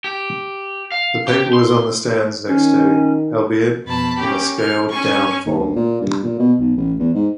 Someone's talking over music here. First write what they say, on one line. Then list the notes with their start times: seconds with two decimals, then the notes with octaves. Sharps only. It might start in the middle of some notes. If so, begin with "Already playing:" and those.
The paper was on the stands the next day, albeit in scaled-down form.
0.04 G4
0.92 F5
1.28 G4
1.53 C6
2.48 D#3 C#4
3.84 F2 B2 A5 B5
4.18 A#3 C#4 G4
4.58 F6
4.89 C#4 G#5 C#6
5.45 D#2
5.59 D2
5.76 A#2
6.01 G2
6.23 A#2
6.39 B2
6.60 B1
6.77 A1
6.99 E2
7.14 G#2